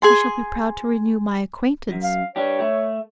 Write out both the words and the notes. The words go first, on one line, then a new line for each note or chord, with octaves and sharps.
"I shall be proud to renew my acquaintance."
G#4 G#5 C6
F#2
F5
G3 D4 G4 C#5
A3